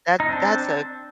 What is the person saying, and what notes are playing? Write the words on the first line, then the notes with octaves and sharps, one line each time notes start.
that that's a
D#4
C4 D4